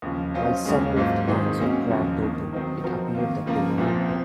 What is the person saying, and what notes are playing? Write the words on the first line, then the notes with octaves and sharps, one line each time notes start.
While several of the tanks were cracked open, it appeared that they were empty.
D#2 C#3 F3
F#3 C#4 F4 C5 D#5
D#2 C#3 G#3 C#4
G#2 F#3 A#3 F4 C5
G#2 D#3 G#3 C4 D#4
F#3 A#3 C#4 F#4
D#2 C#3 F3
D#3 A#3 D#4
D#3 F#3 C4 D#4 A#4
F3 C4 F#4 A#4
D#3 A#3 F4
C#3 F3 A#3 F4 A#4
C2 A#2 F3 C4
C4